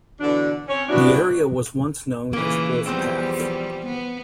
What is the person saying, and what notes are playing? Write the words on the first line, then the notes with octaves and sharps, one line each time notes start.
The area was once known as "Wolfpath".
B2 D3 E3 D4
C4 C#4 C#5
F#3 G3 B3 D4 E4 F#4
A#2 C#3 E3 A#3
E2 F3 G3 C4 C5 G6
B3